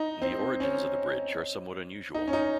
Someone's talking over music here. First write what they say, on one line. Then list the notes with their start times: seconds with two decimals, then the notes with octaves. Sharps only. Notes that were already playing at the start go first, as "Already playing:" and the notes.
The origins of the bridge are somewhat unusual.
Already playing: D#4
0.22 C4
0.60 C#4
2.14 D#4
2.28 C#4
2.33 D#4